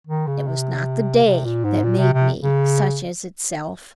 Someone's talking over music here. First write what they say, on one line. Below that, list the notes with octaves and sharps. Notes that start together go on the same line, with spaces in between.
It was not the day that made me such as itself.
D#3
C#3
C3
C3
A#2
G#2
A#2
C3
C3
C#3